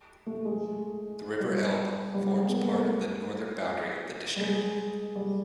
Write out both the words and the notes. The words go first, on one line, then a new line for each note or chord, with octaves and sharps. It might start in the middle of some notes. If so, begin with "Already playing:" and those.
The river Elbe forms part of the northern boundary of the district.
A3
G#3
G3
G3
G#3
B3
A#3
A3
G3
G#3
G3